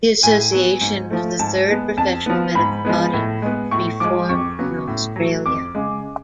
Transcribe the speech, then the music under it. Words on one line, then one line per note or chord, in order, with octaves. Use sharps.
The Association was the third professional medical body to be formed in Australia.
A2 G#5
F#3 B3
G#2
F3 A3
G#2 A5
G#3 B3
F2 A5
F3 B3
G#2 B5
F3 G#3 B3
A2
G#3 B3
A2 C#6
F3 G#3 D6
F2 C#6
C#3 F#3 B3
A2
F#3 A3
F2 D6
C#3 G#3